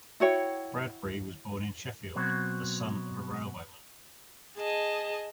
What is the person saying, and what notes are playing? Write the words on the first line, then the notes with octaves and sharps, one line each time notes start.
Bradbury was born in Sheffield, the son of a railwayman.
E4 F#4 C#5 G5
B2 F#3 C4
G#4 D#5 A5